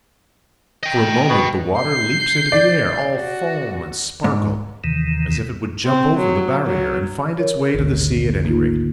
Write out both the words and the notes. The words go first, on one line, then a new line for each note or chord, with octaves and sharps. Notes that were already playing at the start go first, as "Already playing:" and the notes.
For a moment the water leaps into the air, all foam and sparkle, as if it would jump over the barrier, and find its way to the sea at any rate.
D#5 G5
B2
G6 C7
D5
F#4
G#2
D#2 C3 D#3 E3
C4
F#3
F#3
A#4 C#5
G#1 D2
A#3 D#4 F4